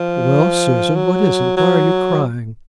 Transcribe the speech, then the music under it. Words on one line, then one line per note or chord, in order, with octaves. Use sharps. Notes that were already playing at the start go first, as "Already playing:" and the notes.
'Well, Susan--what is it?--why are you crying?'
Already playing: F3
F#3
F#3